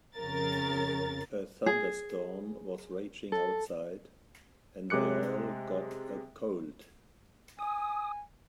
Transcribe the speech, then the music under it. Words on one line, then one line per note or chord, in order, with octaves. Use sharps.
A thunderstorm was raging outside and they all got a cold.
F2 C#3 A#4 A6
G#4
A4
C3 G#3 D6 F#6 C#7
G#5 D#6